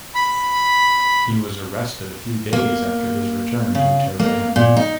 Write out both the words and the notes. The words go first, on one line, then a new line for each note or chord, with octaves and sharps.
He was arrested a few days after his return to Tehran.
B5
A#3
C#3
A#3
A#2
D#4